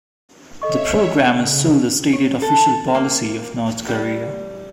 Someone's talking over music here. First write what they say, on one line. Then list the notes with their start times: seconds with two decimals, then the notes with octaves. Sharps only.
The program is still the stated official policy of North Korea.
0.62 A4 C#5 D#5 E5 C#6
1.28 C#3
2.13 C#5
2.42 A4
2.95 A#3
3.88 G3